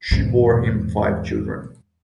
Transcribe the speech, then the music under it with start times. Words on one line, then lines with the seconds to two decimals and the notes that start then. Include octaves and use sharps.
She bore him five children.
0.11 E2 G#2